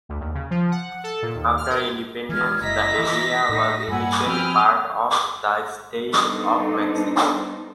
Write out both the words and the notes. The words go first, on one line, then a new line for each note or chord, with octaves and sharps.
After Independence, the area was initially part of the State of Mexico.
D2
D#2
C#3
F3
F#5
A4
A#2
D#2
F6
A#4
E3 G#3 F6 G#6
F#1 E4 D#5 A#5 A#6 B6
E3
A2 D#4
G2 A#3 F#5 G#5 B5 E6
F3 C4 G5 D#6 F6
G3 B3 D4 D#4 A4 C5